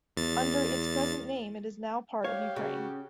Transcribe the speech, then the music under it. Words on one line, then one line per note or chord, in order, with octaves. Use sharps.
Under its present name it is now part of Ukraine.
E2 A6
G4 C#5 F5
C#3 F#4